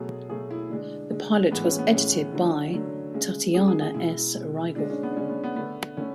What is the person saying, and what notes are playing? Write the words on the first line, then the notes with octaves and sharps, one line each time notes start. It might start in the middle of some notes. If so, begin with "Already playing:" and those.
The pilot was edited by Tatiana S. Riegel.
Already playing: B2 F#3 A3 G#4
B2 F#3 A3 G#4
E4
D3 G#3 D4
D3 G#3
A2 E3 G#3 B3
C#4
B3
A2 E3 G#3 C#4
D3 F#3 A3
D3 F#3 A3
C#3 G#3
C#3 G#3 G#4
G#4
G#4
B2 G#3 E4
B2 G#3
D3 G#3 D4
C#4
B3
D4
D3 G#3 C#4
B3
B3
D3 A3 B3
D3 A3 C#4